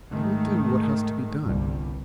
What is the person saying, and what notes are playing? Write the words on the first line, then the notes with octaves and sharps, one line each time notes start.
"I will do what has to be done."
G#2 D#3 G#3 A3
G1 C2 G3